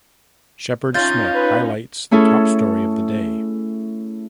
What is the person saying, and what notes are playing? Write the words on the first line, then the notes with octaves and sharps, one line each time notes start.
Shepard Smith highlights the top story of the day.
C#4 D#4 F4 G6 A6
B4
A3 C#4 E4 G#4 A4